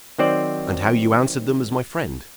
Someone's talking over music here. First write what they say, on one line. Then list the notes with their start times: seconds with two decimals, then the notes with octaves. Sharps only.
"And how you answered them as my friend."
0.18 D#3 F#3 C4 C5 D5